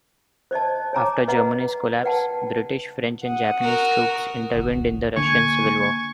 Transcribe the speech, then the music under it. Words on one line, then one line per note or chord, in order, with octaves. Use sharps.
After Germany's collapse, British, French and Japanese troops intervened in the Russian Civil War.
C5 D5 D#5 A5
C#5 G#5 A#5 D6
B4 D#5 F#5 A#5
B4 D5 F#5 G5 A5
F#5 D#6
F#4 A#4
D1 G#1 C#2
D3 A#3 D4 G#5 C#6